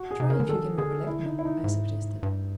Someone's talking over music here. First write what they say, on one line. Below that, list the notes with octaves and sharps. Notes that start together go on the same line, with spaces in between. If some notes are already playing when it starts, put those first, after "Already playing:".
"Try if you can recollect me," I suggested.
Already playing: F#4
G#4
C3
C#3 A#4
D3
D#3 A4
D3 G#4
E4
D#4
E4
D#4
G#2
G2